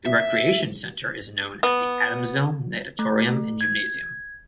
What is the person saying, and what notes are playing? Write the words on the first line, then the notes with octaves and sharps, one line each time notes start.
The recreation center is known as the Adamsville Natatorium and Gymnasium.
E5
B3
A3
G#6